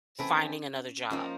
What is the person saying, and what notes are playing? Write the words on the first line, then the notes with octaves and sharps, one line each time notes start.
finding another job
E3 A3 C4 C#4
F3 A#3 C#4 D#4